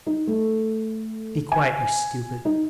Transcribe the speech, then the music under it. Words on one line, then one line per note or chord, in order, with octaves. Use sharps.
Be quiet, you stupid!
D#4
A3
G#5
D#4